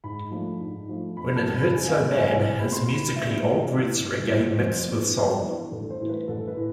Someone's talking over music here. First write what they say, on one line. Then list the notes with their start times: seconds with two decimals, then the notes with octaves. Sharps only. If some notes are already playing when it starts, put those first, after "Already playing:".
"When It Hurts So Bad" is musically old roots reggae mixed with soul.
0.04 G#2 B5
0.31 F3 A3 D4
0.60 G#2
0.89 F3 A3 D4
1.16 F2 B5
1.36 A5
1.45 C3 F3
1.55 B5
1.73 F2 G#5
1.88 F5
2.03 C3 F3
2.17 G#5
2.30 C2 G#5
2.59 B2 A3 C4 B5
2.73 C6
2.88 C2 B5
3.15 B2 A3 C4 E5
3.24 D5
3.31 E5
3.44 B1 D5
3.73 A2 E3
4.00 B1
4.29 A2 E3
4.57 F2 C5
4.86 E3 B3 D4
5.15 F2
5.43 E3 B3 D4
5.71 A1 A4
5.90 C5
6.00 A2 E3
6.09 B4
6.28 A1 A4
6.48 B4
6.56 A2